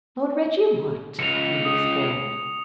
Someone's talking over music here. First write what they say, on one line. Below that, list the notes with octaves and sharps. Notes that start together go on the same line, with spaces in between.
"Lord Reggie what!" Eve exclaimed.
C#2 C#7 F7
D#6